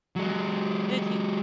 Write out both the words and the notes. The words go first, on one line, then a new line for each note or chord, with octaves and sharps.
Did you
F#3 G#3